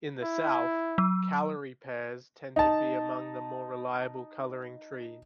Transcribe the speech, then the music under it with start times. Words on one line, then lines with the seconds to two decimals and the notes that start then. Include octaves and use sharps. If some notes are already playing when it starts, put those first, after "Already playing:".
In the South, Callery pears tend to be among the more reliable colouring trees.
0.23 E4
0.98 F#3
2.56 D#4 A5